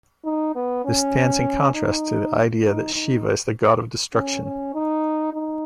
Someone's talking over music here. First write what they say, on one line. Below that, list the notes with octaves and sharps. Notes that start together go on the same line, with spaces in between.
This stands in contrast to the idea that Shiva is the God of destruction.
D#4
B3
C#4
D#4
D#4
D#4
C#4
C#4
D#4
D#4